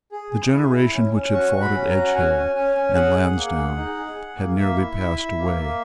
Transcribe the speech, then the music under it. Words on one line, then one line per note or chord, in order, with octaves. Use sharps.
The generation which had fought at Edgehill and Lansdowne had nearly passed away.
G#4
G#4
E4
E4
C#4
C#4
F#4 C#6
F#4
B5
C#4
A#5
F#4
F#5
C#4 G#5
C#4
C#4 G#5
C#4
G#4 F#5
G#4
A#3
G#4
D#4
G#4
G#4
A#3
A#3 E5
E4
E4
E4
A#3
A#3